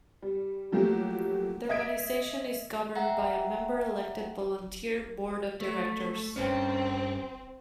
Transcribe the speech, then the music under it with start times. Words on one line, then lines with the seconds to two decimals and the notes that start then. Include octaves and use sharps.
The organization is governed by a member-elected, volunteer Board of Directors.
0.22 G3
0.72 F3 F#3 A3 A#3 G4
1.69 D#5 E5 G#6 D7
2.95 E5 F#5 G5 A#5
5.61 A3
6.36 G2 C4 C#4